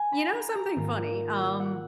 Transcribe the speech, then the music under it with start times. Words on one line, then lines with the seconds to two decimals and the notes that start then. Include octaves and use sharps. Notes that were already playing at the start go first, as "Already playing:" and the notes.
You know something funny, um,
Already playing: G#5
0.12 B5
0.33 A#5
0.55 A#5
0.76 G#2 D#3 A#3 F4
1.60 F#5